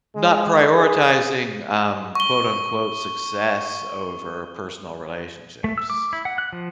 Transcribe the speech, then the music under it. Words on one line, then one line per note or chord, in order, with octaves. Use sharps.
Not prioritizing, um, quote unquote, “success” over personal relationships.
G#3
G#4
C#6 G7
A3
E6
D6
E4
F#5
F#6
F3